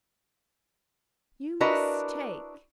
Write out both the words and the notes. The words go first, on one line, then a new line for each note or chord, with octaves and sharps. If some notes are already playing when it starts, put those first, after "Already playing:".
You mistake.
D4 E4 F#4 A#4 B4 D#5